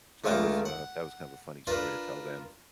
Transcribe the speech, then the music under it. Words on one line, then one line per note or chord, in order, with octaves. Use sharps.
So that was, uh, that was kind of a funny story to tell them.
C#2 D3 A3 F4 A#4 D6
F#5
D4 F4 A#4 B4